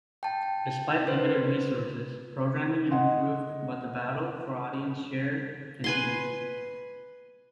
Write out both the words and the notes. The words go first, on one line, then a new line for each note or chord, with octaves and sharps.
Despite limited resources, programming improved but the battle for audience share continued.
G5 A5
B4 C5
D#5 F#5 C6
B4 G#5 C6